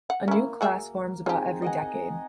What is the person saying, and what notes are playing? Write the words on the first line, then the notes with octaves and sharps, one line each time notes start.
A new class forms about every decade.
F#5
A#3 C#4 E4
F#4 G#4 E5
C4 D#4 F4 G4 G#4
D#5 F#5 G#5